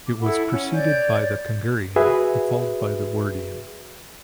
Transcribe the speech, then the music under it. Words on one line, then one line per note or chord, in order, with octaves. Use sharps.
It was preceded by the Kungurian and followed by the Wordian.
D6
E4 A4 F#5 B5
C#4
C#5 D5 G6
F#4 G#4 B4 E5